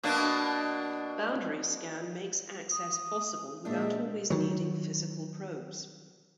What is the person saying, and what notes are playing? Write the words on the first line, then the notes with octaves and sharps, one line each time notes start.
Boundary scan makes access possible without always needing physical probes.
B2 A#3 D4
D#6
A#2 G#3 D4 E5
D#3 F#3